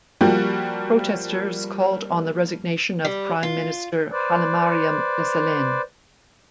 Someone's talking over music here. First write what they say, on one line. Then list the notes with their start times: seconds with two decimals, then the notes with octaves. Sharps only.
Protesters called on the resignation on prime minister Hailemariam Desalegn.
0.21 F3 G3 A#3 F#4 G4
3.05 G3
3.43 F4
4.12 B4 C5 D5